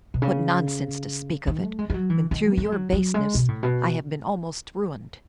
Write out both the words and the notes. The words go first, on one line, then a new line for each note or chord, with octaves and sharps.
What nonsense to speak of it, when through your baseness I have been almost ruined.
B2
C#3
D#3
A3
G#3
G#3
F#3
E3
D#3
B3
A3
G#3
F#3
F#3
G#3
B2
A2
B2